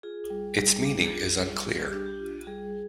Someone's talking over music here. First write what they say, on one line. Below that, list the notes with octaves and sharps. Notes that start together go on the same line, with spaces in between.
Its meaning is unclear.
F4 G#4
G3
G3
D4
F4
G3
G3 G#4
G4
D4
G4
F4
G3 G#4